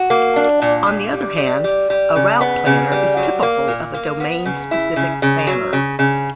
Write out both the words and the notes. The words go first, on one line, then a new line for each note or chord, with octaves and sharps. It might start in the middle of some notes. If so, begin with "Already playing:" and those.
On the other hand, a route planner is typical of a domain specific planner.
Already playing: F#4
A#3
D4
A#2
A#2
G3
G3
G3
G3
C#3
B3
C#3
G3
F#3
A#3
A#2
A#3
B3
C#3
E4
C#3
C#3
F#3
C#3
C#3